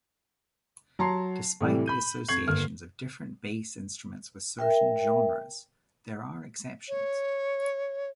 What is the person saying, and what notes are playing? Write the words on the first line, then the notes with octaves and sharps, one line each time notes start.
Despite the associations of different bass instruments with certain genres, there are exceptions.
F#3 A5 A#5 C6 C7
A2 C3 E3 G3
B5 G6 D#7
F2 C#6 G#6 C7 F#7
G1 A#3 F6
A#4 E5 G5
C#5